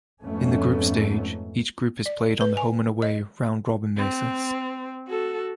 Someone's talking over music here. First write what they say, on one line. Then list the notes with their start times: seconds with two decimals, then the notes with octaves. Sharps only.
In the group stage, each group is played on a home-and-away round-robin basis.
0.23 F2 G#2 A3 B3 C#4
2.06 D5
2.41 B4
2.57 G#5
3.02 D#5
3.97 C4
5.07 F#4 A4